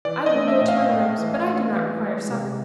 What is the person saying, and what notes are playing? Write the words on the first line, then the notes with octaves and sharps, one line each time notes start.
I will go to my rooms, but I do not require supper.
E3 D5
D#5
A3
E5
A2
F5
A2
E3
A3
E3
G#3
C3